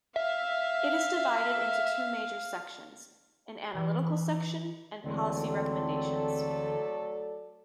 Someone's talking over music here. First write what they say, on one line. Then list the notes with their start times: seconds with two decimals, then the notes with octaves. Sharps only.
It is divided into two major sections: an analytical section and policy recommendations.
0.16 E5 F5
3.75 E3
5.04 D2 E3 F#3 G#3 A3 C4 A4 D5